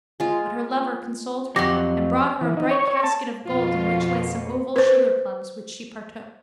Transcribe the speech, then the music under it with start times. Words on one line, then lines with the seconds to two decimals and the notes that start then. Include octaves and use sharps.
But her lover consoled her and brought her a bright casket of gold in which lay some oval sugarplums which she partook.
0.20 G#3 F4
1.56 F2 F#3 G4 F#5 C6 D6 A#6
2.41 E3
2.57 D#4
2.71 C#5
2.88 C#5
3.03 A5
3.45 F2 B2 B3 F4 F5
4.76 B4 C5